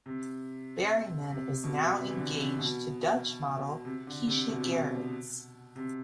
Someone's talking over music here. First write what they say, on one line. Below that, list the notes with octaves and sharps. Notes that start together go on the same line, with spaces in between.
Berryman is now engaged to Dutch model Keshia Gerrits.
C3
C3
B2
C3
E3
D3
C3
B2
C3
D3
C3
B2
C3
B2
C3